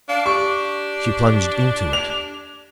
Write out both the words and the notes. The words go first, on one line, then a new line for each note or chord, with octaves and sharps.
She plunged into it.
D4 F5
G4 C#6
F7